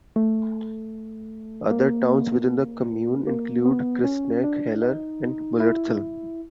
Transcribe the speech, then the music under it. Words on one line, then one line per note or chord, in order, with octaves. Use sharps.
Other towns within the commune include Christnach, Haller, and Mullerthal.
A3
A#3
A#3
B3
C#4
D4
D#4
E4